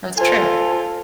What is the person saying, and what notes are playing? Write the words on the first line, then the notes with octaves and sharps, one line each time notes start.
That's true.
F4 A4 C5 G#5